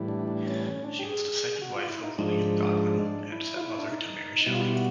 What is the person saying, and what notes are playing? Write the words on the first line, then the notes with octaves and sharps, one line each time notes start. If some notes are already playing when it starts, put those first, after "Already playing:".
She was the second wife of William Godwin and stepmother to Mary Shelley.
Already playing: A2 E3 G3
D4
D4
C#4
C#4
D4
G4
G#4
F#4
F4
E4
D#4
G#2 F3 G#3 D4
E4
F4
E4
D4
D#4
B2 G3 E4
F4
E4
F#4